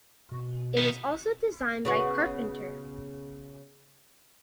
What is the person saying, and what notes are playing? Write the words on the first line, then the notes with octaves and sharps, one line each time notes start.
It was also designed by Carpenter.
B2
D#3 B3
C#3 B3 F#4